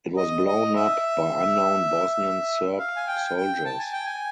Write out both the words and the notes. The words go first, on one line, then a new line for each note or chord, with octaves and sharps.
It was blown up by unknown Bosnian Serb soldiers.
D#5
D#5
E5
F5
G#5
G5
G5
A5
G#5
G5
G#5